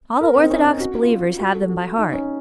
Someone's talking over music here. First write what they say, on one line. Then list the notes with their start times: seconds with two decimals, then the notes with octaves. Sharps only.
All the orthodox believers have them by heart.
0.21 A#4
0.36 C4
0.44 D#4
0.50 C#4
0.65 D#4
0.80 F#4
0.95 F#4
1.03 F4
1.10 F#4
1.24 F4
1.39 F#4
1.54 A4
1.69 F#4
1.98 D#4
2.13 C#4